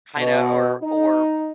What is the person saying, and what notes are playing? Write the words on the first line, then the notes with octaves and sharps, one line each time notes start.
kinda or or
B2
D#4